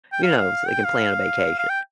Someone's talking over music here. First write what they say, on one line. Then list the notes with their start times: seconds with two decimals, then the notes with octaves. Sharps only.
you know, so they can plan a vacation,
0.12 G5
0.23 F5
0.38 F5
0.68 G5
0.84 F5
1.59 F5
1.69 G5